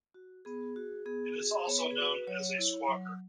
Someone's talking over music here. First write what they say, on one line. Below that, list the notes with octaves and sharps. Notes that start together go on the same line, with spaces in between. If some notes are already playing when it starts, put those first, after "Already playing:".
It is also known as a squawker.
F#4
B3 G#4
F#4
B3 G#4
F#4
B3 C#5
B4
G#4
F#4 B4
F#3 C#5
E4
F#3